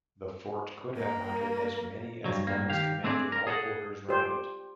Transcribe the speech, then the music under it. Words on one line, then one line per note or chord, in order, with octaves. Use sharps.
The fort could have mounted as many as guns commanding all quarters round it.
A#3 A#4
G2 F#3
G2 A#3
D#3 G4 F5
A3 C4 D4 G#4 B4 D5
A#4
G#4 A4 C#5 F#5
G4 C5